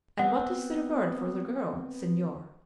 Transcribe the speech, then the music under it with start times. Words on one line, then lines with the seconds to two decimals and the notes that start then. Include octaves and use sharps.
"And what is the reward for the girl, senor?"
0.19 B3 C4 F#5